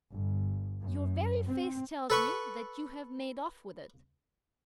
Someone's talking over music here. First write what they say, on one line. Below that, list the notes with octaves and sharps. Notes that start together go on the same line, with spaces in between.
"Your very face tells me that you have made off with it."
G1
F#2
C4
A4 B4 C#6